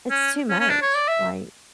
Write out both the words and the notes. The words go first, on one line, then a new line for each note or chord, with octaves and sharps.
it's too much, like,
C#4
C#4
C#4
D4
C#5
D5
E5